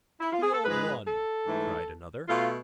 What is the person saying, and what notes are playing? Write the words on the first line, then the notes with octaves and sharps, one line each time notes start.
"The old one," cried another.
E4
F4
G#4
A4
G#2 F3 G#3 B4
A4
G#2 E3 A3
B2 A3 F4